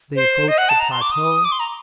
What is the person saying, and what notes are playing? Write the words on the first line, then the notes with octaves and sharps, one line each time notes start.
They approached the plateau.
C5
D#5
F#5
A5
A#5
C6
D6
D#6
D6
C6
A#5